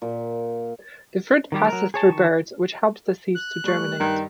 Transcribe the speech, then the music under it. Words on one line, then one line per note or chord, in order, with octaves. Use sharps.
The fruit passes through birds, which helps the seeds to germinate.
A#2
D#3 G3 G4
F#3 A#4
G#4 C#5 A5
D#3 A5 C#6
F#6
G3 A3 C#6
G2 D#3